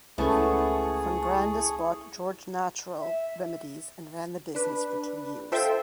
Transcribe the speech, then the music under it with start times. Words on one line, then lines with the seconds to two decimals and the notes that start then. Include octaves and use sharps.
Von Brandis bought George Natural Remedies and ran the business for two years.
0.18 C#2 A3 B3 C#4 E4 G#4 A5 C#6
3.00 E5
4.55 D4 B4
5.52 F4 A4 C5 E5 G5